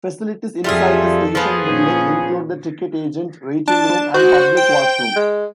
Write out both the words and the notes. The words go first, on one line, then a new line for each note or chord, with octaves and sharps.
Facilities inside the station building include the ticket agent, waiting room and public washroom.
F2 G3 F4 G#4 A4 E5
F3 B3 G#4
A#2 C#4
D4 A5
F#4 C5
G5
G#3